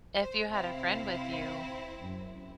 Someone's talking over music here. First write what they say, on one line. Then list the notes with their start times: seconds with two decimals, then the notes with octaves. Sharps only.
If you had a friend with you,
0.20 C5
0.49 C3 C4 E4 F5
2.00 F#2